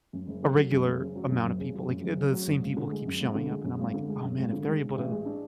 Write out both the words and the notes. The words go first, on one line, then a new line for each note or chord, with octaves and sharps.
a regular amount of people, like, i the same people keep showing up, and I'm like, "Oh, man. If they're able to
F#2
F#1
C#3
F#3
F#2
F#1
C#3
F#3
F#2
F#1
C#3
F#3
F#2
F#1
C#3
F#3
F#2
G#1
D3
G#3
F#2
G#1
D3
G#3
F#2
G#1
D3
G#3
F#2
G#1
D3
G#3
G#2
A1
G#3
D4